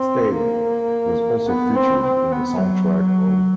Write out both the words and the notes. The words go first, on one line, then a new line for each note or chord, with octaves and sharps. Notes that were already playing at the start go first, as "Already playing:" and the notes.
"Stay" was also featured in the soundtrack of ".".
Already playing: C4
A#3
B3
C4
C4
B3
F#3